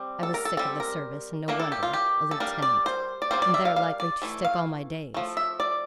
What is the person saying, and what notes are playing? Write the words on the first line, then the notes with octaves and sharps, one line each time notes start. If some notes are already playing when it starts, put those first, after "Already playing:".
I was sick of the service, and no wonder: a lieutenant--and there likely to stick all my days.
Already playing: G3 C4
A4
A#4
A4
G3 C4 A4
A#4
E3 A#3 D4 A#4
A4
G4
F4
G4
A4
G3 A#3 D4 A#4
D5
C5
D5
G3 A#3 D4 C5
D5
E5
F5
F5
D5
E3 A3
F5
F3 A3
E5
D5